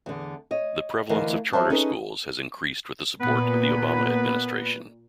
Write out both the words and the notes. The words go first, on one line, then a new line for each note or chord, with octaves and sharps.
The prevalence of charter schools has increased with the support of the Obama Administration.
E2 D3
C#5 D#5
D2 D3 E3 A#4 D#5 F5
F2 F#3 C5 E5 A5
C#4 D#4 G#4 A4 B4
A#2 B3 B4